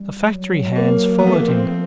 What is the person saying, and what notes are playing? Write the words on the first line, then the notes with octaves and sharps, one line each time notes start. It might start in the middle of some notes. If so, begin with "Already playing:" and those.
The factory hands followed him.
Already playing: G3
F#3
A#3
F3 B3
A3
A#3
C4